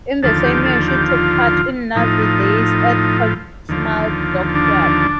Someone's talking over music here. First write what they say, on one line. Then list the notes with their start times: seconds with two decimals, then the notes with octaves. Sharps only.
In the same year she took part in Navy Days at Portsmouth Dockyard.
0.23 D#2 D3 F3 A4
0.44 G4
0.66 A4
0.88 G4
1.09 F4
1.95 A2 F3 D#4
3.69 D#2 D3 F3
4.55 D4